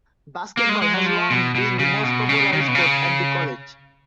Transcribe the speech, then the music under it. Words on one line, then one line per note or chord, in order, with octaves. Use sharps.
Basketball has long been the most popular sport at the college.
A#3
G#3
G#3
F#3
F3
B2
B2
C#3
B2
C#3
D#3
C#3
B2
C#3